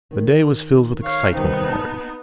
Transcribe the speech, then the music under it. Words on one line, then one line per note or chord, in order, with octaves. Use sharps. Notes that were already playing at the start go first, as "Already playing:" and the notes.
The day was filled with excitement for Harry.
D#3
C#5 F5
C3 D#3 G3 B3 D#4
A5